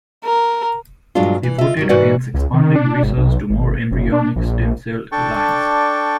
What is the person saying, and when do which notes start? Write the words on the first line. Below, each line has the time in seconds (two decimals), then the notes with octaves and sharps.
He voted against expanding research to more embryonic stem cell lines.
0.25 A#4
1.15 G2 A#2 F#3 G#3 D4 F4
1.43 E3
1.58 F4 D#5 E5
1.77 D#3 F#3 G3
1.89 G#2 E3 F#4 B4 D5 F#5
2.34 C#2
2.53 D#3
2.76 D4
3.03 G#1
3.17 B1
3.50 G#1
3.91 F#1
4.12 D4
4.36 A#1
5.12 D4 A4 D5 G5 C#6